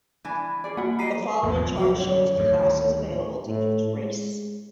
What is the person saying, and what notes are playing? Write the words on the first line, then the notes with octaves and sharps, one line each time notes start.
The following chart shows the classes available to each race.
E3 D4 G#5
C#4 G#4 D5
A#3 F#4 F#5 B5
G4 D#5 A#5 C7 D#7
A1 E2 F3
A#2 D3 F#3
C2 F3 F#3 F#4
F#2 D3 C#5
D2 A2 D#3
A2
G#3